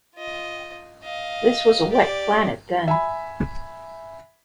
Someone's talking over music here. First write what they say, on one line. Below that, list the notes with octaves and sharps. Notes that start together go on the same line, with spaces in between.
This was a wet planet then.
F4 D#5
D#5 F5
G4 D5
E5 G#5 B5